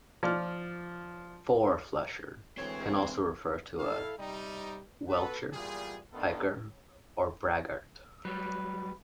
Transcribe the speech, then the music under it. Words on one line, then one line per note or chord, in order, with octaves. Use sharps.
Four flusher can also refer to a welcher, piker, or braggart.
F3 D5 F6
D2 E3 G#3 C4 C5 C#5
E4 A4 F5
C3 G3 D#4
B3 F#4 A4 B4
E2 A#2 G3 F4 G#4
D#3 A3 B3 D4 F4 A4
F#3 G3 B4